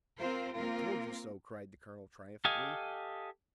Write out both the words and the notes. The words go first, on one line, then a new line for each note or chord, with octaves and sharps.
"I told you so," cried the colonel, triumphantly.
C4 F4 A#4 C5
A#3 C4 F4 A#4
G4 A4 D#5 F5 G#5